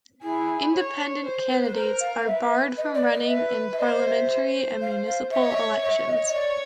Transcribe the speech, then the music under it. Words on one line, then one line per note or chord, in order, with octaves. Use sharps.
Independent candidates are barred from running in parliamentary and municipal elections.
E4 G#4
C#5
C5
B4
B4
A#4 C5
F5
F5
B4 E5
D#5
D5
D#5
B4 E5
E5
C5 D#5
E5
C5
F5
F5
C#5 E5
D#5
E5
C#5 E5
D#5
D#5
D5